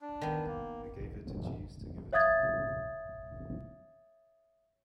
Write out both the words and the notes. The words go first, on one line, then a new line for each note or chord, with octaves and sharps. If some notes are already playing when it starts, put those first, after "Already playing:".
I gave it to Jeeves to give it to you.
D4
D#3 B3
A#3
C#5 E5 F5 D#6 G#6 A6